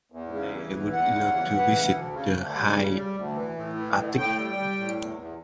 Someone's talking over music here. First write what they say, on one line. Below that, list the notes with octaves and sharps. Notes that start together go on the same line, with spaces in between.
One day, I would love to visit the high Arctic.
E2
C#3
E3
E2
E2 F#5
C#3
E3
E3
C#3
D2
C#3
D2
G3
C#3
G3
D2
E3
A2
E3
A2
A2 G5
G3
G3
A2
E2
E2